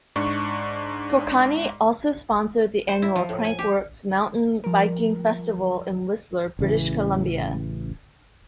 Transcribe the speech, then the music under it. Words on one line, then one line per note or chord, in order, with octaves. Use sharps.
Kokanee also sponsored the annual Crankworx mountain biking festival in Whistler, British Columbia.
G#2 D4 C#6
C5
E4
F3
A2
G#5
G4
F3 G3 A#4
A1 C#3 E3